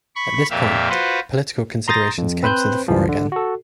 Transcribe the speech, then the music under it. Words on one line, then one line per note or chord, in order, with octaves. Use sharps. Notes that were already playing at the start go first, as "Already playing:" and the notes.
At this point, political considerations came to the fore again.
B5 C#6
F2 A#2 G4 E5 F5
F4 F#4 B4 C5
A#5 C6 D#6 G6 A6 A#6
F2
C4 B4 C5 F#6 G6
C#2 F#2 E3 F3
D3
F#4 A4